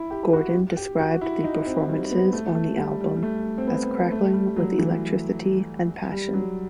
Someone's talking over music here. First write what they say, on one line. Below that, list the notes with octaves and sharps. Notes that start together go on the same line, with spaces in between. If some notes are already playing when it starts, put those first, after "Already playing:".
Gordon described the performances on the album as "crackling with electricity and passion".
Already playing: E4
G4
F#4
G4
F#4
E4
D#4
C4
G3
B3
A3
A3
G3
G3
G3
A3
C4
B3
A3
G3
F#3
E3
G3
F#3